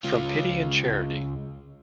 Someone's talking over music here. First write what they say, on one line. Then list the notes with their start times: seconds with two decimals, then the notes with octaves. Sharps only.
From pity and charity!
0.04 C#2 F4